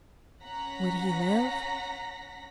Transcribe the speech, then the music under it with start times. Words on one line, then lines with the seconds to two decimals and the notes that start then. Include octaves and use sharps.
Would he live?
0.44 C#4 F#5 A#5 A#6 B6